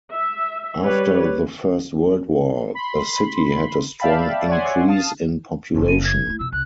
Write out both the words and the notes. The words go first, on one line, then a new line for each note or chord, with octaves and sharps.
After the First World War, the city had a strong increase in population.
E5
G3 B4 C#5
B5 C6
D5 E5 F5 G5 A5 B5
C#5 D5 E5 F#5 G#5 C6
F5 A5 D#6
F#1
D#7
G#6
A3 E4
F2 B2 E6
C2 F#6